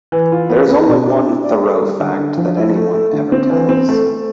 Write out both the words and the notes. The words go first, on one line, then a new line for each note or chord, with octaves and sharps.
There is only one Thoreau fact that anyone ever tells.
E3
F4
B3
B3
B2
D4
E4
D5
A4
G3
D3
D4
F3
E4
A3
A3
D3
C4
E3
C4
A3
A3